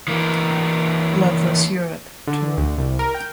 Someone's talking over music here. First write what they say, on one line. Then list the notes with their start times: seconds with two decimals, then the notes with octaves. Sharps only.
Loveless Europe Tour.
0.08 E3 A#3
2.27 D3
2.57 D2
2.78 C2
2.99 A#4
3.15 G5